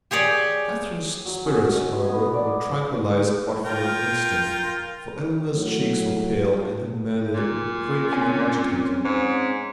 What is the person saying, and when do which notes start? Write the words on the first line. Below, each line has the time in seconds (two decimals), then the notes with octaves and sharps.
Catherine's spirits, however, were tranquillized but for an instant, for Eleanor's cheeks were pale, and her manner greatly agitated.
0.11 G4 G#4 C#5 D5
1.25 F#3
1.45 C#4
1.75 D#5
2.09 B3
2.34 D5
3.65 F4 A#4 G5
5.53 A2 F#3
7.34 A#2
8.13 C4 C#4 G#5
9.05 G#2